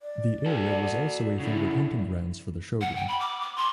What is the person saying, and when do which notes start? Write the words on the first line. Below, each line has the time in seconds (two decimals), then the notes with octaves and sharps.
The area was also a favored hunting grounds for the Shogun.
0.02 D5
0.46 F#4 A4
1.40 C#3 D4 E4
2.81 F#5
2.96 G5
3.08 B5
3.20 D6
3.41 D6
3.56 C6